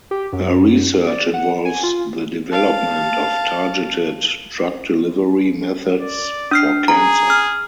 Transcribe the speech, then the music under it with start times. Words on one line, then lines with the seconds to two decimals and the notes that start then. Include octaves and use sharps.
Her research involves the development of targeted drug delivery methods for cancer.
0.11 G4
0.33 F#2
1.07 D5
1.34 F#5
1.65 G#5
1.83 F4
2.51 F5 A5
5.99 D5
6.51 D4 F6 C7
6.88 G#4 A#5
7.30 F6